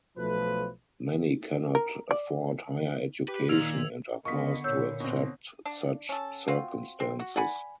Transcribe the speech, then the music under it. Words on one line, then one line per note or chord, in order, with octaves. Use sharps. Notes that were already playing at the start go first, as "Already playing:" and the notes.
Many cannot afford higher education and are forced to accept such circumstances.
B1 F3 A3 B4
A#4
D5
G4 B4
A#2 E6 F6 G#6 F7
D#3
D3 B3 F4 A#4 D#5 C#6 B6
A#2 C#5 E6 G6
B2 C4
D4
C#4 A4
C4 F4 F#4
C4
F#4
D5 F#5 G#5 B5